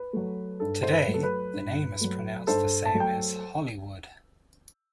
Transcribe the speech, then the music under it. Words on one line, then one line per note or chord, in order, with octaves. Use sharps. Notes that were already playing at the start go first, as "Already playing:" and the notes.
Today, the name is pronounced the same as "Hollywood".
Already playing: B4
F#3 A3
G2 A4
C5
B4
F#3 A3
A4
B4
G2
F#3 A3
G2 A4 C5
A5
F#3 A3
G5